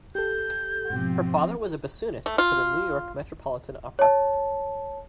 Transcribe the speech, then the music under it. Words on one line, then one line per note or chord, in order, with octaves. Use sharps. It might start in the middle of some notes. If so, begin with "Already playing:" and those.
Her father was a bassoonist for the New York Metropolitan Opera.
G4 A4 G6
G#2 B2 F3 C4
A3
F4
C#5 A5